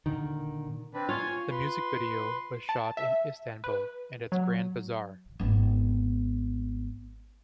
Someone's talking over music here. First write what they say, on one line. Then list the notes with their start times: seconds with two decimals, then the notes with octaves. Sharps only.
The music video was shot in Istanbul, and its Grand Bazaar.
0.06 A#2 D3 D#3
0.94 C4 D4 B4
1.09 F4 C#5 G#5
1.51 B4 C6
2.69 A5
2.97 E5
3.64 B4
4.32 F#3
5.40 G#1 B3